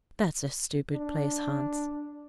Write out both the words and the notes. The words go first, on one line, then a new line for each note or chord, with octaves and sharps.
'That's a stupid place, Hans.
D4